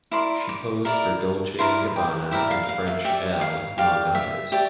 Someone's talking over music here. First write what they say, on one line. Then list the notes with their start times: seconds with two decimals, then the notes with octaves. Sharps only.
She posed for Dolce and Gabbana and French "Elle", among others.
0.11 E4 A#4 D5 C6
0.49 D6
0.85 E4 A#4 D5
1.59 E4 A#4 D5 C6
1.96 G5
2.31 E4 A#4 D5 E5
2.51 F5
2.69 F5
2.87 E5
3.05 G4 D5 E5
3.41 F5
3.78 G4 D5 F5
4.15 E5
4.52 G4 D5 E5